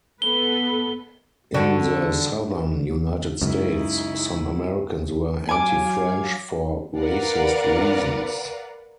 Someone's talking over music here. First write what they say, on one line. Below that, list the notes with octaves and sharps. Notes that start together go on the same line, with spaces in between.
In the Southern United States, some Americans were anti-French for racist reasons.
B3 A4 B4 G7
D3 G3 F#4
C#2 F#2 C#3 D#4 E4
F#3 F5 G#5 D6 G#6
A#4 B4 D5 F5 F#5